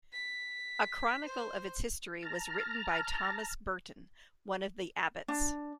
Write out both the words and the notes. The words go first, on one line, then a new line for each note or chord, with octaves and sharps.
A chronicle of its history was written by Thomas Burton, one of the abbots.
B6
C5
A5 A#5 F6
D4